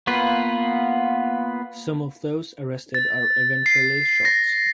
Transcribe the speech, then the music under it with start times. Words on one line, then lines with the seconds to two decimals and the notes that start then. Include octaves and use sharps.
Some of those arrested are eventually shot.
0.07 A#3 B3 F4 B4
2.94 A6
3.66 C7
4.25 A#6